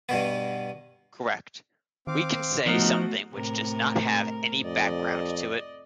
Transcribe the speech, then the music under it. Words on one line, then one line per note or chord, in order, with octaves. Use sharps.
Correct. We can say something which does not have any background to it.
G2 B2 B3
D#3 C4 F5 D6
F3 A3 B3 D#4 F#4 F#5 F6
A2 C3 A#4
F2 D5 D#5